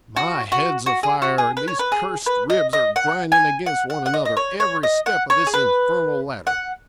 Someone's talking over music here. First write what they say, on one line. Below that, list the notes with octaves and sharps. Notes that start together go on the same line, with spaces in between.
'My head's a-fire, and these cursed ribs are grinding against one another every step of this infernal ladder.
F#4
F#4
F#4
G#4
F#4
G#4
B4
C#5
B4
G#4
B4
D#5
D#5
F#5
G#5
F#5
F#5
F#5
D#5
D#5
C#5
C#5
D#5
F#5
C#5
G#4
B4
F#5